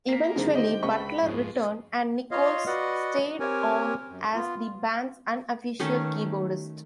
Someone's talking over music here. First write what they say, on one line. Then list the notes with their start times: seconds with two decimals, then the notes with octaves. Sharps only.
Eventually Butler returned and Nicholls stayed on as the band's unofficial keyboardist.
0.09 A#3 B6 C7
0.35 F#2 D3 D#3 G#3 C4
0.55 G4 C5 D#5 G5
0.82 C#2 C4 D#5 B5 C#6
1.23 F2 G#2
2.31 F4 C#5 D#5 F5
2.67 F#4 B4 D5 D#5 F#5
3.40 C4 G4 A#4 C#5 G#5
4.08 F#2
4.34 B3 F4
5.80 D#3 A3 C#4